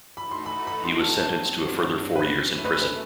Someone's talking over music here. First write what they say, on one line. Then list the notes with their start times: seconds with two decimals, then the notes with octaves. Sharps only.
He was sentenced to a further four years in prison.
0.17 E3 A3 D#4 F#4 A4 B5
0.31 C6
0.46 B5
0.67 B5
0.84 C6
1.00 A5
1.17 G2 F#3 C4 A5
2.15 F#2 E3 A3 B4
2.65 B4
2.82 B4